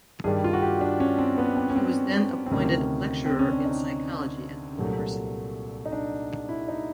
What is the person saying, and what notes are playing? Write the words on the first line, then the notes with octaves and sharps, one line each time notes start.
She was then appointed lecturer in psychology at the University.
G2 D#3 G3 G#4
F4
F#4
G4
D4
C#4
C4
B3
C4
C#4
C4
C4
D2 C3 D#3 C#4
C4
C#4
D4
D#4
C2 A#2 F#3 A3
D#4
D4
E4
D#4